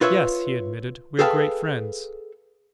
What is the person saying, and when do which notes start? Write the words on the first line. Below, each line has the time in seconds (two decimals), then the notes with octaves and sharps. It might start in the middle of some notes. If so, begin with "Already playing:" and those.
"Yes," he admitted, "we're great friends."
0.01 F4 B4 C#5 E5
1.19 G#4 A4 B4 F5 G5 A5